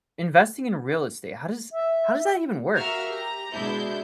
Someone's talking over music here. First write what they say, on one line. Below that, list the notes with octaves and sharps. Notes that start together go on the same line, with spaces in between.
investing in real estate, how does how does that even work?
E5
F#4 A#4 E5 F5 A#5 F6
G4 A#5
B2 G#3 D4 E4 G6